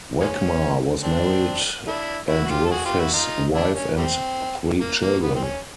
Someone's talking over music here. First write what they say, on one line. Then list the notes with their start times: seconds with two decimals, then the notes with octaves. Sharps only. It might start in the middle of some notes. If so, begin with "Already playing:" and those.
Wechmar was married and with his wife had three children.
0.20 G#3 A#3 C#4
1.03 C4 D4
1.88 D4 E4
2.29 E4 F#4
2.44 F#4
2.50 F4 G4
2.65 A4
2.72 F#4 G#4
2.85 F4 G4
2.99 E4 F#4
3.14 D#4 F4
3.54 D4 E4
3.76 C#4
3.96 G3 A3 C4
4.80 A#3
5.02 A#3
5.23 B3
5.35 C4
5.43 C#4